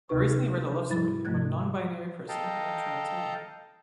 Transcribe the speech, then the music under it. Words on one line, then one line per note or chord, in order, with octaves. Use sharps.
I recently read a love story about a non-binary person and a trans man.
D2 C3 D#4 B4 C#6
G#2 F3 G3 E4 B5 A6
G#2 C3 F3 A3 F#6 G#6
A4 D#5 F5 G5 A5 A#5